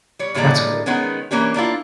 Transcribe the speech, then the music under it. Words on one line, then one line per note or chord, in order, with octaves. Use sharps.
That's good.
G3 C#5
A2 D3 G3 G#3 A#3 D5
D#3 G#3 B3 C#4
E3 A#3 C#4 D4 G4
A#3 D4 E4 F4